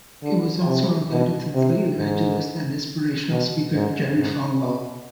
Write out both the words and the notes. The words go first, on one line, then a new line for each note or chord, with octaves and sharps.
He was also related to the late evangelist and inspirational speaker, Jerry Falwell.
D3
C3
B2
C3
G#2
B2
G#2
G#2
B2